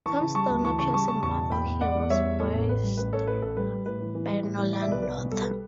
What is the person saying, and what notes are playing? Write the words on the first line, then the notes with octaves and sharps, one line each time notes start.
Tombstone appears in "Marvel Heroes", voiced by Nolan North.
E3 A5 C#6
C#3
G3 A5 C#6
D2
E3 A5 C#6
C#3 A5 C#6
G3 A5 C#6
C#3 A5 C#6
E2 A5 C#6
B2
E2 G5 B5
E2
E2 D5 F#5
E2
G3 C#5 E5
E2
A2 A4 C#5
A1
A1 B4
G3
A1 B4
A1 A4 C#5
A2 B4
A1 A4
G3 B4
G3
A2 B4
E3
E3
G3
A2
E3
G3 D5
E5
B1 B4 D5
B1 B4
B1
G3 A4
B4